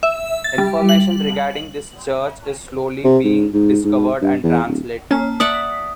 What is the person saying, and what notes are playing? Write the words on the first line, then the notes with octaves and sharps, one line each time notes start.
Information regarding this church is slowly being 'discovered' and translated.
E5
A6
G3
F#7
C3
G#2
G#2
G#2
G2
E2
D1
A#3 C#4 A5
D5 E5 F#5 D#6 B6